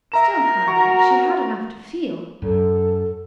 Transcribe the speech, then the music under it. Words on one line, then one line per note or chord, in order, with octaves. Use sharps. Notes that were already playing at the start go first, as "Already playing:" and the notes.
Still, however, she had enough to feel!
A#4 E5 A#5 E7
F#4 A#5 C#6
F#2 A4